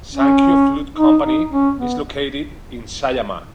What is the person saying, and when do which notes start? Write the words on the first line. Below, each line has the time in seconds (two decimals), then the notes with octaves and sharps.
Sankyo Flute Company is located in Sayama.
0.15 C#4
0.97 D#4
1.24 D#4
1.51 C#4
1.78 B3